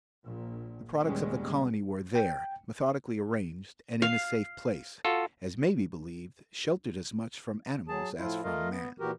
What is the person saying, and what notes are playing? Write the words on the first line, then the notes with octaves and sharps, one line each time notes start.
The products of the colony were there, methodically arranged, and in a safe place, as may be believed, sheltered as much from animals as from man.
A#1 A#2
D#2 A#2 G3 G#3 B3 C#4
G5
F5
F4 F#4 A4
F#3 G#4 A5
A2 F3 E4 F4
A3 F4 A#4 D#5 F5
B3
A#2 E3 F#4 G4 A#4